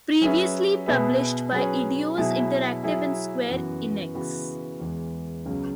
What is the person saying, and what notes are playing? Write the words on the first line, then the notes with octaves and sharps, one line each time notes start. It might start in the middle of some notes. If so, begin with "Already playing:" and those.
Previously published by Eidos Interactive and Square Enix.
F#3 C#4 G#4 B4 E5
B2 B3 G#4 B4 E5
F#3 C#4 G#4 B4
B2 F#3 E4 G#4 E5
F#3 E4 G#4 E5
F#2 E3 B3 F#4
C#3 E3 B3 F#4 B4
E2 E3 G#3
C#2 C#3 F#3 B3